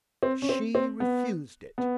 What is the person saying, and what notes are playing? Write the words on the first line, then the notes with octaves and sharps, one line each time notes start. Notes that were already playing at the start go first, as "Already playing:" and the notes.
"She refused it."
C4
C#4
C4
C4
B3
B3